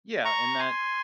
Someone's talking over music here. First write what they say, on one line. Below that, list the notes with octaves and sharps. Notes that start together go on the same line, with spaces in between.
Yeah, and that
A#5 C#6
G#5 C6